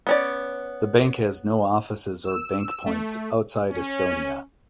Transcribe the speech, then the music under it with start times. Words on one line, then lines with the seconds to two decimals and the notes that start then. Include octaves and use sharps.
The bank has no offices or bank points outside Estonia.
0.07 B3 C#4 D5
2.24 E6
2.85 A3
3.70 C#4